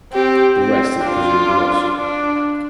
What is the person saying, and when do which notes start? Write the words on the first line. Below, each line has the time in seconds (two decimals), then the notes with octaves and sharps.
The rest is presumed lost.
0.14 C4 G4
0.60 C4
1.05 D4 F4
1.97 D4